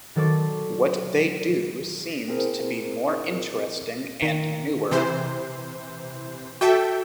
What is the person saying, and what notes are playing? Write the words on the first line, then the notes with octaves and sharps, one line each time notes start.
What they do seems to be more interesting and newer.
D#3 F#3 A4 C5 D5 C#6
C4 E4 G#4 A#4 C5
D#3
C3 E3 C5
F#4 A4 E5 G5